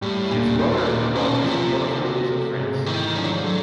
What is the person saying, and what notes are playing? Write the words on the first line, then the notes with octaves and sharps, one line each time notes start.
She is the mother of two daughters, one of whom lives in France.
A2 G3
D#2 A#2
A#2 D#3
A2
A#2
A#3
B2 C#4
C3 F3
A#3
F#4
A3
G#2
D#3 E3
F3 D4
F#3
F3
F#3 A3